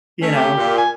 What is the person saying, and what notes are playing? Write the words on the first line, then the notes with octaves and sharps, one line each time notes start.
you know.
A3 C#4
G4
A#2
G#5